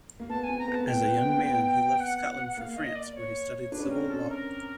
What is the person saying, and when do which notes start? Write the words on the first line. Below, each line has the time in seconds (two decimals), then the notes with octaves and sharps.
As a young man, he left Scotland for France, where he studied civil law.
0.20 A#3
0.29 B3 A5
0.44 G#5
0.49 C4
0.59 A#5
0.68 B3
0.73 A5
0.80 B3
0.87 A#3 G5
1.01 B3
1.15 C4
1.30 B3
1.44 B3
2.00 F#5
2.57 A#3 F5
2.77 D#5
2.95 D5
3.15 C#5
3.72 D4 B4
3.80 C#4
3.88 C4 A#4
3.96 C#4
4.10 A4
4.29 A#4